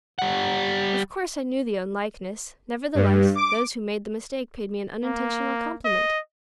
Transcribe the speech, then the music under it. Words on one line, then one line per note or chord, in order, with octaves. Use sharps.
Of course I knew the unlikeness; nevertheless, those who made the mistake paid me an unintentional compliment.
G3 F#5
G2
D6
A#3
D#5